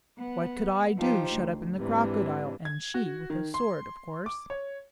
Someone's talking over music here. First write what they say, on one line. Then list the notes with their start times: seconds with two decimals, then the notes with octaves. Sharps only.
"What could I do shut up in the crocodile, and she with a sword, of course?"
0.18 B3 F#5
0.97 F3 D#4 F4 G4 C5
1.30 D2
1.76 G#2 C3 E3 D4
2.65 G#6
2.94 F#4
3.30 D#3
3.54 C6
4.26 D6
4.50 C#5